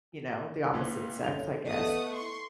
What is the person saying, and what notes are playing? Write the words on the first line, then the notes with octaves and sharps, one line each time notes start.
you know, the opposite sex, I guess.
C#2 A#2 E3
D3 C#4 G6 F7
A3 B3 E4 D#5 F#5 D#6
C6 C#6